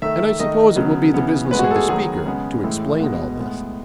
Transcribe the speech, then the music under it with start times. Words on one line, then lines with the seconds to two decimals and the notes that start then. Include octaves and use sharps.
"And I suppose it will be the business of the speaker to explain all this."
0.02 D#3 A3 E5
0.40 D#3 A3 D#5
0.76 C#3 F#3 B3
1.14 C#3 E3 B3
1.51 A2 G#3 B3 B4
1.59 F#4
1.64 G#4
1.71 A4
1.76 G#4
1.89 D#3 F#3 B3 G#4
2.26 C#3 G#3 B3
2.63 A2 E3 G#3
3.00 B2 G#3 B3
3.38 A2 G#3 B3